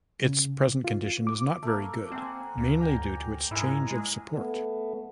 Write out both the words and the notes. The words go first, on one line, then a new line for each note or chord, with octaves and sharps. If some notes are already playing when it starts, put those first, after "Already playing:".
Its present condition is not very good, mainly due to its change of support.
C#3
F4
D6
A3 A#3
C4 F#5 G#5
D2
G5 G#5 A#5
G#2 E4 A#4 G#5
G#3
A3 B3